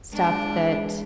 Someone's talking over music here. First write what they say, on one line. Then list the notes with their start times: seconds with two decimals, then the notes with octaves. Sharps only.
stuff that
0.13 G#3 D4